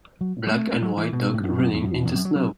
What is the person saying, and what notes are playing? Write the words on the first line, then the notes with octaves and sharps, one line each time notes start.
Black and white dog running in the snow.
F#3
F#3
A3
A3
F#3
E3
B2
A2
F#2
F#2
E2
F#2
E2
E2
F#2
F#3
F#3